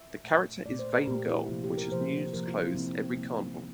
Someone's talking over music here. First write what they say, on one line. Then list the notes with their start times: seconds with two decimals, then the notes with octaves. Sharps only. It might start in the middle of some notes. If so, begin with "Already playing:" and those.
The character is vain girl which has news clothes every carnival.
Already playing: E5
0.24 A#2 A3
0.65 A#2 A3 D5
0.79 C5
0.93 A#4
1.07 A#2 A3 G4
1.29 E4
1.49 C3 F3 A#3 F4
1.64 G4
1.78 A#4
1.92 C3 F3 A#3 C5
2.33 C3 F3 A#3 A#4
2.48 F4
2.61 E4
2.75 C3 F3 A#3 C4
3.17 C3 G3 A#3